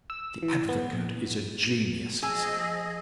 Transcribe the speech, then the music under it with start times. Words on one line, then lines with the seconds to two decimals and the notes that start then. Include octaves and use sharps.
"The advocate is a genius," he said.
0.10 E6
0.43 E3
0.69 B3
0.93 A#1
2.23 F3 G#4 D#5 G#5 E6